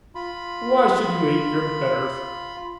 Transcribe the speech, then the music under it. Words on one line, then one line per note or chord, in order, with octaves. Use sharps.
Why should you ape your betters?
F4 B5